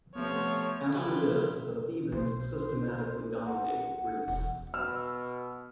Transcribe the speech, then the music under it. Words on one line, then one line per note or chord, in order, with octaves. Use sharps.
After this, the Thebans systematically dominated Greece.
C3 F3 A3 B3 C#5
F3 G3 E4
B1 C5
F#5
E1
B2 E6 F6